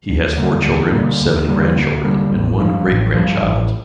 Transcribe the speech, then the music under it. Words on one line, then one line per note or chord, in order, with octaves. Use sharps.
He has four children, seven grandchildren, and one great-grandchild.
D2
D3 G3 A#3
D2
D3 G3 A#3
D2
D3 G3 A#3
D2
D3 G3 A#3
A1
G2 F3
A1
G2 F3
A1